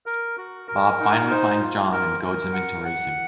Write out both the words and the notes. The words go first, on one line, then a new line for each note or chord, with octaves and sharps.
Bob finally finds John and goads him into racing.
A#4
F#4
A#4
D#4
C5
F4
A#4
A#4
F#5
F#5